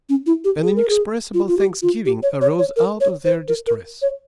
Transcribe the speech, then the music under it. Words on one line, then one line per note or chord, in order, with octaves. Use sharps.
An inexpressible thanksgiving arose out of their distress.
C#4
E4
G4
G#4
A#4
G#4
F4
F4
G4
F4
G4
C#5
C#5
C#5
A#4
C#5
C5
A#4
A#4
C#5